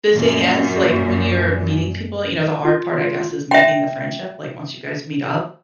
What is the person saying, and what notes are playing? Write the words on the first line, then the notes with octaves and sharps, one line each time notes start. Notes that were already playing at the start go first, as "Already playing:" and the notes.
the thing is, like, when you're meeting people, you know, the hard part, I guess, is making the friendship, like, once you guys meet up.
F#2 A#2
F4
E5 G5